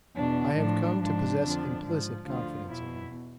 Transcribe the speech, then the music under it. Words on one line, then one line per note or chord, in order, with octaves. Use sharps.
I have come to possess implicit confidence in him.
E2 B2 D4
A2 F3 D4
G#2 F3 D4
F2 D3 F3
G#2 F3
D2 D3 F3 F4
E2 B2 E4